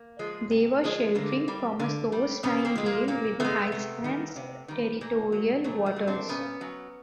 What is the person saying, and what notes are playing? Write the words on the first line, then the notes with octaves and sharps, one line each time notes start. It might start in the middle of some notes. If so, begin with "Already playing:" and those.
They were sheltering from a force nine gale within Iceland's territorial waters.
Already playing: A#3
F3 G#3
C3
F3 G#3
D3 A#3
G3
D3
G3
A#2 B3 C#4
A#3 C4
F3 G#3
A#3
A#2 A#3
F3 G#3 A3 B3
C3
D#3 G3
C3
D#3 G3
A#2 A#3
F#3
A#2 A3
A3
F#3
C4 D4
A#2 B3 C#4
F#3